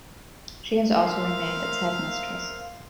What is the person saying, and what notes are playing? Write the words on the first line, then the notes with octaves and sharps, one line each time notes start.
She has also remained its Headmistress.
A#4 C5 E5 F5